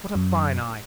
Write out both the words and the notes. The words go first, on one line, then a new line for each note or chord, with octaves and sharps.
What a fine eye!
F#2